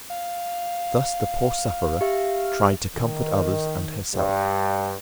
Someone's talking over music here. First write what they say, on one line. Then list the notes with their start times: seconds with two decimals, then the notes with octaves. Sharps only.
Thus the poor sufferer tried to comfort others and herself.
0.10 F5
2.01 G4 E5
2.96 D#3
4.15 G2